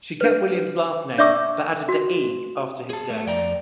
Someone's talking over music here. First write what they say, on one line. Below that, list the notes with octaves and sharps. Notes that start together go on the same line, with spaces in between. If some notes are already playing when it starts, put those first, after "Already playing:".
She kept William's last name but added the "e" after his death.
D4 B4
D4 D5 E5 C#6 D6 E6
F#4
G#4 A5
A3
F2 D5 G5 A#5